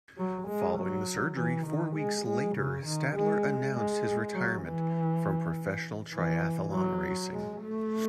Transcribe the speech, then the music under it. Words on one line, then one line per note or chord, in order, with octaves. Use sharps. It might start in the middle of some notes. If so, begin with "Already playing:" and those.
Following the surgery, four weeks later, Stadler announced his retirement from professional triathlon racing.
F#3
G#3
F#3
E3
D#3
G#3
G#3
C#3
D#3
G#3
G#3
F#3
E3
E3
F#3
G#3
A3